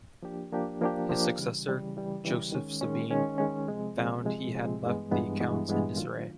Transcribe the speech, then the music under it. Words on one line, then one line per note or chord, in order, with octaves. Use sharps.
His successor Joseph Sabine found he had left the accounts in disarray.
F3 A#3 D4 G4
F3 A#3 D4 G4
F3 A#3 D4 G4
F3 A#3 D4 G4
C#3 E3 G3
C#3 E3 G3
C#3 E3 G3
C#3 E3 G3
D#3 G#3 C#4
D#3 G#3 C#4
D#3 G#3 C#4
D#3 G#3 C#4
C3 F3 G#3 C4
C3 F3 G#3 C4
C3 F3 G#3 C4
C3 F3 G#3 C4
G2 E3 G#3 B3
G2 E3 G#3 B3
G2 E3 G#3 B3
G2 E3 G#3 B3
D#3 F#3 A3 D4 F4